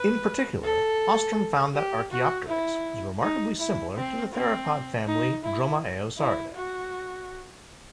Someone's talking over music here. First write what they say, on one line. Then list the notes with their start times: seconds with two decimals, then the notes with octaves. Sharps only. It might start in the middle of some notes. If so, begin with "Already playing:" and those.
In particular, Ostrom found that "Archaeopteryx" was remarkably similar to the theropod family Dromaeosauridae.
Already playing: B4
0.63 A4
1.74 G4
2.11 F#4
2.48 E4
3.22 D#4
3.59 E4
3.96 C4
4.33 C4
5.07 D#4
5.44 E4
6.18 E4
6.55 F#4